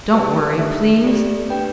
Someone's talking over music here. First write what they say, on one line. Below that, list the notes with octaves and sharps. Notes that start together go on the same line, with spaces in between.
Don't worry, please.
G4 B4 D5 A5
D4 A4 E5
A3 G4 D5
D4 B4 G5